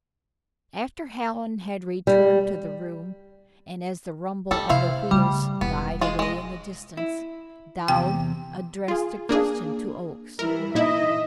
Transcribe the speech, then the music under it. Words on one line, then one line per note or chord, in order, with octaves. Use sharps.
After Hallen had returned to the room, and as the rumble of the wheels died away in the distance, Dowd addressed a question to Oakes.
G3
G3 F4 A4
C3 E4 C5 F5
C#3 G3 A3
E1 B3
G#3 F4 G#4
G#3 D#5
E4
E2 C3 G5
F4 G#4
A#3 D4 G#4
E3 G3 E4 A#4
A#2 D#4 E4 D#5 E5